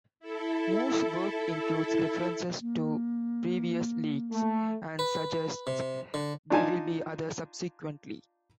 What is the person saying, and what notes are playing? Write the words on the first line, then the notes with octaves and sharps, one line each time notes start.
Moore's work includes references to previous leagues and suggests there will be others subsequently.
E4 A4
A#3
A3
B4
C3
D3
D4 D#4 F4 G#5 A5